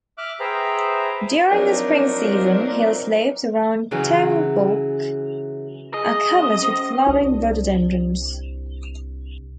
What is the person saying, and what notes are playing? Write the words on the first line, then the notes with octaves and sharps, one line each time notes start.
During the spring season, hill slopes around Tengboche are covered with flowering rhododendrons.
E5 D6 F6 F#6
G#4 B4 C5 E5 G5 A#5
F3 F#3 C4 D4 D#4 A#4
C#3 E3 F#3
G#4 D#5
E3 F#3 C4
C#4 C5
C2 D4